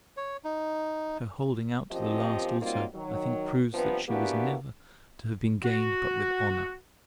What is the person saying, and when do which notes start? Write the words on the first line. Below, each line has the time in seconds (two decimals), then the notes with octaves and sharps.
Her holding out to the last also, I think, proves that she was never to have been gained but with honour.
0.17 C#5
0.45 D#4
1.91 F#2 A#2 F3 C4 G4 D#5
2.61 F#3 G3 A#3 C4 D#4 F4
2.94 D#3 F#3
3.74 G2 C3 F3 B3
4.09 E3 A#3 B3 D4 F#4 G4
5.64 F#4